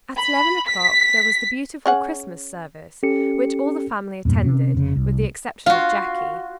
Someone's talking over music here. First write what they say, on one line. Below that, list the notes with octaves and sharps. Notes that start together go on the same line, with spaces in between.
At eleven o'clock there was the beautiful Christmas service, which all the family attended, with the exception of Jackie.
B5
B6
C#4 G#4 F#5
C#4 G4 A4 C#7
E2 G2 A#2
C3 C#4
F1 C#3
C2
F4 F#4 F5